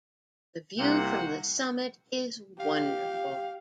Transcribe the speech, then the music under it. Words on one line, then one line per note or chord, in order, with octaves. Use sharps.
The view from the summit is wonderful.
C2 C3 A#3 C4 F#4 C5 F#5
G4 F5